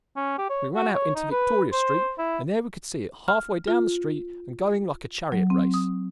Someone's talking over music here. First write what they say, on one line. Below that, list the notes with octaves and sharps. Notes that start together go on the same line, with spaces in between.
We ran out into Victoria Street, and there we could see it half-way down the street and going like a chariot race.
C#4
G4
C#5
F#4
C#5
D#4
B4
C5
E4
F6
F4
F#3
C4
D#6